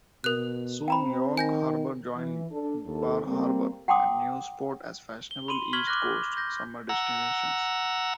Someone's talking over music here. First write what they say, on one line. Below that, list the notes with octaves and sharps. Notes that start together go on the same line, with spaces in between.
Soon York Harbor joined Bar Harbor and Newport as fashionable East Coast summer destinations.
B2 A#4 F#6
C4 G5 A#5 B5
D#3 G#5 G6 A#6
E3
D4 A4
D#2 A4
G3 A#3 C4
F#5 G5 A5 C6 D6 D#6
G7
B5 C6 D#7 F#7
C#6 F6 G#6 B6 F#7 G7
D6 F6 F#6 A#6
G6 A#6
F#5 A#5 E6